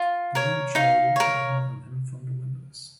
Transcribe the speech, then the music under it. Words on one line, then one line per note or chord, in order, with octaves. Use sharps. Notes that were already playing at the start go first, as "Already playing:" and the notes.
The women shower water and money on him from the windows.
Already playing: F4
A#4 C#5
D#4 F5
A#4 C#5